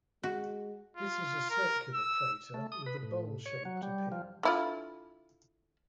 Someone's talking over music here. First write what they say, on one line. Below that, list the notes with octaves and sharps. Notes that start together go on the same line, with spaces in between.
This is a circular crater with a bowl-shaped appearance.
G#3 F#4
F4
A#4
E6
A3
D#6
B4
A2
C#5
F#3
G3
F3
D3 E4 F4